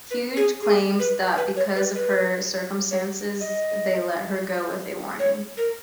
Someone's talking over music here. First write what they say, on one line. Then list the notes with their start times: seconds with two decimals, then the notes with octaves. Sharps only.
Hughes claims that, because of her circumstances, they let her go with a warning.
0.11 B4
0.36 G#4
0.62 G#4
1.00 B4
1.37 B4
1.56 C#5
1.75 B4
1.95 B4
2.91 C#5
3.41 D#5
5.19 C#5
5.57 A#4